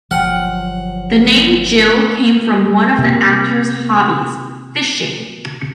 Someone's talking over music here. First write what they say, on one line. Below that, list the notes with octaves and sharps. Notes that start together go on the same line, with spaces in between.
The name Gil came from one of the actor's hobbies, fishing.
G1 F3 F#3 F#5 G5 F6
C3 A#3